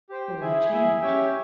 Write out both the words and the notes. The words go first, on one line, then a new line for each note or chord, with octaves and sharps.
But what a change!
G4 C5 G5
E4 G#4 E5 G#5
E4 G#4 E5 G#5
C#4 G4 C#5 E5 G5